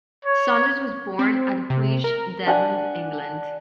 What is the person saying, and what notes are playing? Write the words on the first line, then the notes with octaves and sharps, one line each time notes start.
Saunders was born at Huish, Devon, England.
C#5
C4
C3
A#4
D4 F#5 G#5